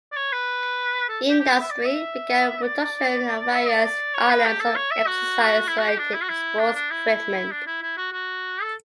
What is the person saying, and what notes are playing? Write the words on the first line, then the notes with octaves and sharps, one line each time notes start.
Industry began the production of various items of exercise-oriented sports equipment.
D5
C#5
B4
A4
G4
G4
E5
D5
E5
D5
E5
D5
D5
C#5
B4
G4
A4
C#5
E5
F#4
E4
F#4
G4
D4
E4
F#4
E4
D4
D4
E4
D4
E4
E4
F#4
F#4
A4